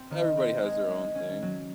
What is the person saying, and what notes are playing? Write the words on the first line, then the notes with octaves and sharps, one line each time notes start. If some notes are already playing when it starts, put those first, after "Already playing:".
everybody has their own thing.
Already playing: C4
D#3
C4
G#3
G#3
C#4
F#3